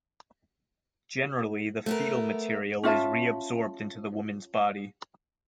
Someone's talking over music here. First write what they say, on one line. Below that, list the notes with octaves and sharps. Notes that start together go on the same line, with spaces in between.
Generally, the fetal material is reabsorbed into the woman's body.
A3 B3 A#4
C#4 F4 E5 A5